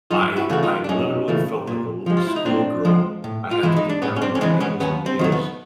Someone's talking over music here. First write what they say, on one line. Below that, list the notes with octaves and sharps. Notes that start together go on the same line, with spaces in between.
I I literally felt like a little schoolgirl, I had to get down on my hands and knees
F#2 D#4 F4
E4 F#4
C#3 E3 A3 F#4
D#4 F4
D4
F#2 C#4 D#4
C#3 E3 A3
A#2
F3 G#3
F4
E4
D#4
A#2 C4 D4
F3 G#3
A2
F4
E3 G#3 E4
D#4
D4
A2 B3 C#4
C#4
C4 D4
C#4
E3 G#3 C4 D4
B3 C#4
D#2 B3 C#4
C4
D#3 F#3 A3
B3